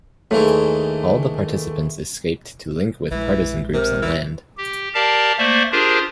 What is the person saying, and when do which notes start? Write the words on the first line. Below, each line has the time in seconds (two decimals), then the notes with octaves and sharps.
All the participants escaped to link with partisan groups on land.
0.31 D#2 E3 G#3 A3
3.11 A#1 E3 G#3
3.74 C3 A#4
4.02 E3
4.57 G4
4.95 G4 A#4 D5 F5 A5
5.38 A3 A#3 C5 D5 E5
5.72 D4 F4 G4 G#4 A#4 C5